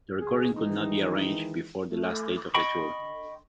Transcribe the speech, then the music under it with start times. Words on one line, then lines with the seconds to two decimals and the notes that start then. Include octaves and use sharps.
The recording could not be arranged before the last date of the tour.
0.19 C#2 G#4
0.55 D#3 E3 G#3 D#4
1.91 A3
2.54 D#5 G5 B5 C#6